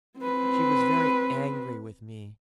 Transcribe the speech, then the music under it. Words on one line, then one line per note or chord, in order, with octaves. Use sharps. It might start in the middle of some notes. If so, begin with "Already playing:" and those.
She was very angry with me.
C4 B4